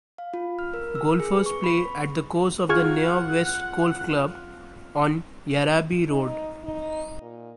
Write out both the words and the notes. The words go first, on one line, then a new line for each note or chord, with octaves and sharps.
Golfers play at the course of the Nyah West Golf Club on Yarraby Road.
F5
F4
F6
A#4
E6
G#4
B4
C#6
B5
F4 G#4 F#5 C#6 F6 G#6
D#4
D#4
A#2